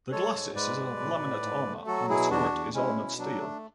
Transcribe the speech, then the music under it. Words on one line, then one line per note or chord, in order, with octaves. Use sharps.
The glacis is of laminate armour and the turret is armoured steel.
G#3 A4 C#5
G#2
G#3 B4 D5
B2
A2
A2
G#2
A3
F#3 F#4 A4
B2 E4 G#4
E2 D4 F#4
E2
G#3 C#4 E4
B2
F#3 D4
A3